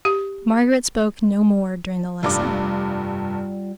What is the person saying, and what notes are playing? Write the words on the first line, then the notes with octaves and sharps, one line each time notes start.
Margaret spoke no more during the lesson.
G4
F1 G2 G3 F4 D6